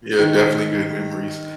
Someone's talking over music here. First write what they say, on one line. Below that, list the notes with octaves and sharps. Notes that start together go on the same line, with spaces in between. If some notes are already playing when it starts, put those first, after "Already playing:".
Yeah, definitely good memories.
D#3